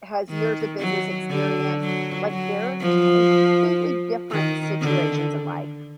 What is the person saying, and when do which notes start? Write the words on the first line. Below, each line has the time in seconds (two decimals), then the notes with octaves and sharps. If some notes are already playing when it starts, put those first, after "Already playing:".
has years of business experience. Like they're to in completely different situations in life.
0.29 D#3
0.80 F#3
1.30 D3
1.81 F#3
2.30 F#3
2.81 F3
4.31 D#3
4.81 D3